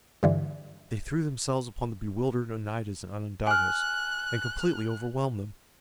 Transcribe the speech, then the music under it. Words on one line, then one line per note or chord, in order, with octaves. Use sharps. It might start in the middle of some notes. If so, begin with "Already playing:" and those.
They threw themselves upon the bewildered Oneidas and Onondagas and completely overwhelmed them.
G2 D3 E3
G#5 F6 F#6